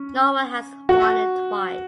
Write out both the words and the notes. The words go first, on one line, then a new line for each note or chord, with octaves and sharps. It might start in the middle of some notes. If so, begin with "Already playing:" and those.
No one has won it twice.
Already playing: C#4
F#4